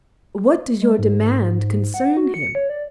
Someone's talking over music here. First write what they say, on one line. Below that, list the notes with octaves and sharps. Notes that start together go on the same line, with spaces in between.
What does your demand concern him?
G#3
G#2
F#5
F#4
C#7
C#5
D5